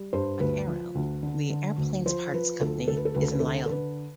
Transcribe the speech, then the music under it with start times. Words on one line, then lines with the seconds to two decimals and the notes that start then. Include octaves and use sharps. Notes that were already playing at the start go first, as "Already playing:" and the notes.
Wag-Aero, the aircraft parts company, is in Lyons.
Already playing: G3
0.13 G2 C5
0.40 D2 B4
0.68 F3
0.95 D2
1.23 D3
1.50 D3
1.78 D2
2.05 F3 C5
2.34 F3 B4
2.61 D2 A4
2.88 D2 A4
2.97 B4
3.05 A4
3.15 D2 B4
3.22 A4
3.32 B4
3.40 D3 A4
3.66 A4
3.70 D3 B4